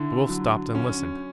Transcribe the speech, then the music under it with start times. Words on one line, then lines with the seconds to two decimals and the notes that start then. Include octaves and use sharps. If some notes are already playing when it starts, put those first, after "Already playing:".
The Wolf stopped and listened.
Already playing: D3 E4
0.29 F#3
0.75 C#4